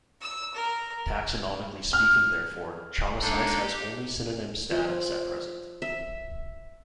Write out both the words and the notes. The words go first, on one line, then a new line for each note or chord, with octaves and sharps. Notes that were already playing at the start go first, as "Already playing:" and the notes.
Taxonomically speaking therefore, "Chamaesyce" has only synonym status at present.
E6
A#4
F6
G#3 A#3 D4 D#4 A4
G4
F3
E5